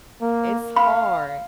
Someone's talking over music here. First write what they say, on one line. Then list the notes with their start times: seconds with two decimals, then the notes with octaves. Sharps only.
it's hard.
0.21 A#3
0.76 F5 B5